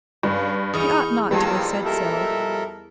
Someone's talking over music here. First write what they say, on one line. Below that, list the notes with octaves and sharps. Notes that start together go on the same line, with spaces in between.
She ought not to have said so.
G2 C#3
E2 D#4 E4 C#6 D#6 F6 G6
A#2 F3 G3 G#3 A#4 A5 E6
A4 A#4 E5